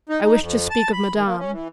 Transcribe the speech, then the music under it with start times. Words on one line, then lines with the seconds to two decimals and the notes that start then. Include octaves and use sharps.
"I wish to speak of Madame."
0.09 D#4
0.23 D#4
0.40 F2
0.70 A5
0.93 B5
1.14 D#3
1.26 A#3
1.39 C#4
1.52 E3